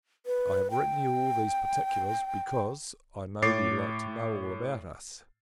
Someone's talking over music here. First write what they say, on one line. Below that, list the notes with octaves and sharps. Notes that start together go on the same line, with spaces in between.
I have written you all these particulars; because, I know, you like to know all about us.
B4
G5
A2 C#5 D6 A6 C7